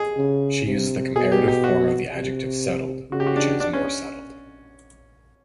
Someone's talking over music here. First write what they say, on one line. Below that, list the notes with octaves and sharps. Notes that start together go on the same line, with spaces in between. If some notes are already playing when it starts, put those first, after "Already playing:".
She uses the comparative form of the adjective "settled", which is "more settled".
Already playing: G#4
C#3
C3
B2 G#4
G4
G4
F#4
C3
C#3 F#4
G4
F#4
D4
D4
C#4